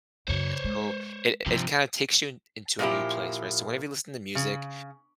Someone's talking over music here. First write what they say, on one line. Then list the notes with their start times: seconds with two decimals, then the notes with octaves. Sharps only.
And, so it it kinda takes you into a new place right? So, whenever you listen to music,
0.28 F#2 C#3 C5 C#5
0.64 G#3
1.46 G2 C3 F3
2.79 A#2 F3 A#3 D4 E4 G4
4.35 C#3